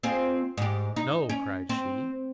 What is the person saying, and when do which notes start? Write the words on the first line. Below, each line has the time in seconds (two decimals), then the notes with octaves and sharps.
"No!" cried she.
0.03 C4 F4 G#4
0.58 G#2 G4
0.96 D#4
1.29 C#4
1.69 C4